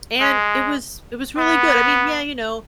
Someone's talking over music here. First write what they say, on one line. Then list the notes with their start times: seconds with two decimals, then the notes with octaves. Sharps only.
and it was it was really good I mean, yeah, you know,
0.20 G#3
1.37 B3